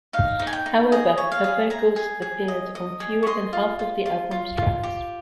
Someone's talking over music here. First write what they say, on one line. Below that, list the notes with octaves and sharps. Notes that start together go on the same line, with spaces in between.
However, her vocals appeared on fewer than half of the album's tracks.
D#4 F5
D#4
G#5
G5
D#4
G#4 D#5
C#5
F5
G#4
G#4 A#5
G#4
G#4
D#5
D#5
G#4
C#6
D#5 C6
F4
F4
F4
F4
F4
G4